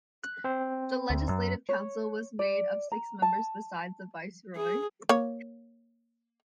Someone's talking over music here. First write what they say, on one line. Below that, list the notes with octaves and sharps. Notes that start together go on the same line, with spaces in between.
The Legislative Council was made of six members besides the Viceroy.
F#6
C4 C5
D2
F#2
C#5
D5
A#5
A5
G#4
A#3 C#5